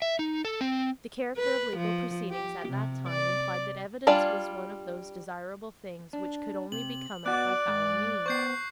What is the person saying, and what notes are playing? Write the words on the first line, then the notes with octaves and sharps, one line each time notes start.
The character of legal proceedings at that time implied that evidence was one of those desirable things which could only be come at by foul means.
E5
D#4
A4
C4
B4
F3
G4
C3
D5
G3 D4 F4 D5 G#5
D4
C3 F#7
B3 F#4 D5 F#6
G#2
B3 C5 C#6 G6 C7